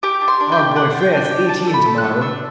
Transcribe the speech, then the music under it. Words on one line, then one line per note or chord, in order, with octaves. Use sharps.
Our boy Fred is eighteen to-morrow.
G4 D6
D4
C6
D4
G5
G4
G4 F#5
D4
G5
D4
G5
G4
D4 A5
A3
B5
A4
F#6
A3
D4 E6